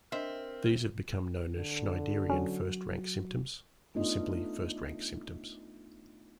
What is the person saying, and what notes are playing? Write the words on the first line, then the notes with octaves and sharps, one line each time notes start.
These have become known as Schneiderian First-Rank Symptoms or simply, first-rank symptoms.
C4 D4 A#4 D#5 E5 C6
D3
F#3 C#4 F#4
A3 B3 D4 D#4 F4 D#5